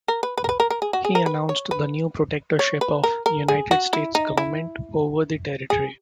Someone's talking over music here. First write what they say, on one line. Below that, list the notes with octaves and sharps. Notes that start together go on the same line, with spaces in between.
He announced the new protectorship of the United States government over the territory.
A#4
B4
B4
A#4
B4
A#4
A#4
G#4
F#4
G#4
A#4
B4
C#5
B4
C#5
B4
A#4
A#4
G#4
F#4
E4
D#4
E4
G#4